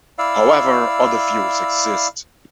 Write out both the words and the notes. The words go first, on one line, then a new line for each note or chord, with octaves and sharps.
However, other views exist.
E4 D5 F5 E6